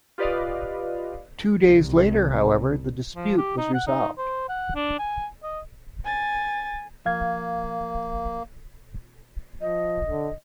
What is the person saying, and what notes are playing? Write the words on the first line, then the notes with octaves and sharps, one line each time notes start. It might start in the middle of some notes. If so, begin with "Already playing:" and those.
Two days later, however, the dispute was resolved.
F4 G4 B4 D5 D#5 F5
C2
F3
G4
D#4
F#5
D#4
C5
F#5
D4
G#5
D#5
G#5 A6
F3 A#3 F5 G#6
F3 D#5
D3